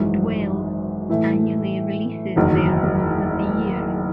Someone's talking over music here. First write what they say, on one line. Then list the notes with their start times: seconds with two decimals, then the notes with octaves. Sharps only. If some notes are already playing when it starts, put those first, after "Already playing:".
"Dwell" annually releases their homes of the year.
Already playing: G#1 F#2 E3 G#3
1.09 A2 E3 A3
2.36 F#1 E2 D#3 F#3